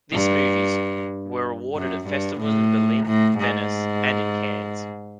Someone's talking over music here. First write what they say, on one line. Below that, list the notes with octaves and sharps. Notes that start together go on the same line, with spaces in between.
This movies were awarded at festivals in Berlin, Venice and in Cannes.
G2
F#2
G2
A2
A2
G#2